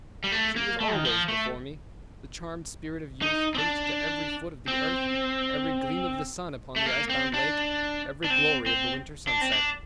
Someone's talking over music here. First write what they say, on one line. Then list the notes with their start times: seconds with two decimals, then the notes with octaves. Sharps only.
She was always before me,—the charmed spirit of youth, linked to every foot of the earth, every gleam of the sun upon the ice-bound lake, every glory of the winter sunset.
0.24 G3
0.32 A3
0.56 A#3
0.80 A3
0.94 D#3
1.05 F3
1.28 A3
3.22 D#4
3.55 C4
3.58 D4
4.68 C4
6.76 A3
6.86 A#3
7.10 C4
7.34 D4
8.24 D4
8.30 C4
8.66 C4
9.27 D4
9.41 C4
9.52 D4